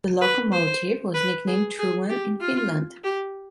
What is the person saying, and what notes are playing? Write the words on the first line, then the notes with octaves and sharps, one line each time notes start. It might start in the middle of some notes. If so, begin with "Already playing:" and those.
The locomotive was nicknamed "Truman" in Finland.
B4
C5
B4
G#4
G#4
G4
F4
G4